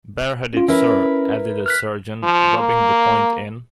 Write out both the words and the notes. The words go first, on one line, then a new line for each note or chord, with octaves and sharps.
"Bareheaded, sir," added the sergeant, rubbing the point in.
C#4 F4
C#4 E4 A#4 B4
F6 F#6 B6
F3
A#3